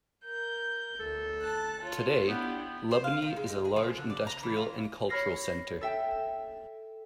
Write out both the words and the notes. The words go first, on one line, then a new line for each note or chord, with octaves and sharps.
Today, Lubny is a large industrial and cultural centre.
A#4 G6
D2 A4
A5 F#6
F4 C#5
B3 D4 E4 G4
C5
F5
D#3
G#3
D#5
G#4
F3
D3
D5
A#5
E3
F4
C#5 B5 F6 A#6 C7
A4 E5 G5